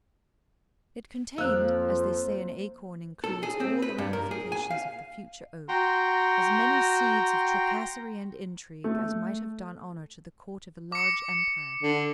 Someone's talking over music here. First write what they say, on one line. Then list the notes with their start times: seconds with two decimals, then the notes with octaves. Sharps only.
It contained, as they say an acorn includes all the ramifications of the future oak, as many seeds of tracasserie and intrigue as might have done honour to the court of a large empire.
1.38 F2 F3 A#3 C5 E6 F#6
3.24 A4
3.43 G#4
3.60 C4
3.82 B4
3.98 G2
4.13 A#4
4.31 G#4
4.52 G#5
4.71 F5
5.68 F#4 G5 A#5 C6
8.84 A3
10.92 D6 C#7
11.83 D3